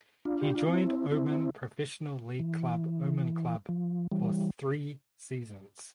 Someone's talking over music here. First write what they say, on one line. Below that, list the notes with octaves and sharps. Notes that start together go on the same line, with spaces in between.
He joined Oman Professional League club Oman Club for three seasons.
D4 F4
G4
F4
C4 E4
C4 E4
E3
F3
E3 G3